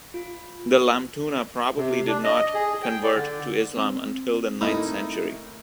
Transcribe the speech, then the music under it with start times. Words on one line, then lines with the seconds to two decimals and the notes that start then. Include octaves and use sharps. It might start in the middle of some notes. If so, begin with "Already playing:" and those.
The Lamtuna probably did not convert to Islam until the ninth century.
0.14 F4
1.77 C3
2.07 D4
2.24 D#5
2.54 G#4
2.83 G5
3.03 D5
3.16 D3
3.77 C4
4.61 A2 A#3 D#4 E4 A4